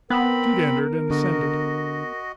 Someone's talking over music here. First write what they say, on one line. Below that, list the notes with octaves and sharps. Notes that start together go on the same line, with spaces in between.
Jude entered and ascended.
B3 C4 A#4 B5
D3 F#4 D#5